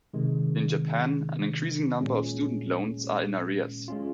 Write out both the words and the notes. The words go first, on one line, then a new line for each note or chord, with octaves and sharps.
In Japan, an increasing number of student loans are in arrears.
C3 D#3 G#3
A#2 G#3 C#4
G#3 C#4 F4